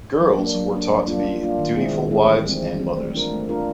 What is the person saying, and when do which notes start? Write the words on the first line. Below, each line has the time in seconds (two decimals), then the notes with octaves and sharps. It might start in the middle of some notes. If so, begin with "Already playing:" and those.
Girls were taught to be dutiful wives and mothers.
0.21 F#3
0.38 A#3 D4
0.55 F#3
0.73 A#3 D4
0.90 G3
1.07 A#3 D4 F4
1.24 G3
1.42 A#3 D4 F4
1.59 D#3
1.76 G#3 C4 E4 G#4
1.93 D#3
2.11 G#3 C4 E4 G#4
2.27 E3
2.46 G3 C4
2.62 E3
2.79 G3 C4
2.97 A3
3.15 D4 F4 A#4
3.32 A3
3.49 D4 F4 A#4